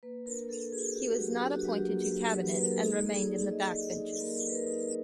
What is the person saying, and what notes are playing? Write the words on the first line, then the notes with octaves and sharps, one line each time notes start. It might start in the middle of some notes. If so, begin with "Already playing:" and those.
He was not appointed to cabinet, and remained in the backbenches.
A#3 B4
D4 A#4
D4 A4
F#4 G#4
F#4 G4
F#4
F#3 G4
D4 G4
F#4
F#3 G4
A#3
F#3
F#3
B4
A#3 A#4
A4
D#4 G#4
D#4 G#4
D#4 D5
D#4 D#5
A#3
D#4
A#3 A#4
D#4
B4
A#4
D#4